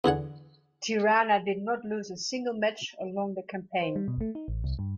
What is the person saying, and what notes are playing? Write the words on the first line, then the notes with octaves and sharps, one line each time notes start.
Tirana did not lose a single match along the campaign.
E2 D3 G#4 F#5
C5
G3
B2
A3
D#4
A1
C2
G2